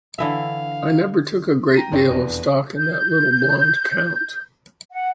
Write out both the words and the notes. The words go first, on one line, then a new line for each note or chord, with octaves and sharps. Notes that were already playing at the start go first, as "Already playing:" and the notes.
I never took a great deal of stock in that little blond Count.
D3 E3 E5 F5
G5 A#5 A#6 D#7
G1 C3 C#5 G5
F1 E2 B2 B3 D4
G6
F#5